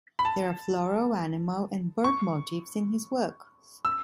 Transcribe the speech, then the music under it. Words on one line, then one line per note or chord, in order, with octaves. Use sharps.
There are floral, animal, and bird motifs in his works.
B5
A5
C#6
E6